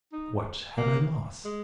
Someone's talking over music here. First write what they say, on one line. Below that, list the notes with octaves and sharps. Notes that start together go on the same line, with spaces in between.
What had I lost?
D#4
A#3
G#3